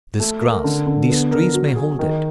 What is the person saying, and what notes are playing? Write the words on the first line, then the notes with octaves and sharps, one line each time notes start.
This grass, these trees, may hold it.
A3
A#4
D3
D3
B3
A#4
F#3
G#4
D#3